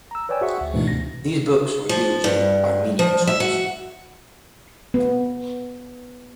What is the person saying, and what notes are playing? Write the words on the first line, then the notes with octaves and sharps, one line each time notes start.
These books were used in Armenian schools.
A#5 E6
B4 C#5 D5 G5 G#5 E6
F#4 G#4 C5 E5 F#5 C#6
D2
G#2 B2 E3 A3 D4
D2 C3 A#6
F3
G2
F3
E5
F#4
B3